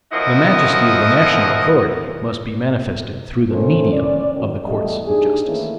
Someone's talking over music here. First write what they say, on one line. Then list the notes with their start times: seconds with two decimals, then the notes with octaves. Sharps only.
The majesty of the national authority must be manifested through the medium of the courts of justice.
0.12 F#2 B2 F3 E4 F#4 D#5
3.49 D3 C#4 E4 A4 A#4 C5
3.92 C#4 D5
4.33 F#2 D#3
4.63 E2 G3 A3 D#5
5.07 D4 D#4 G4 G#4
5.45 D#3 E3 A3 A#3 C#4 E4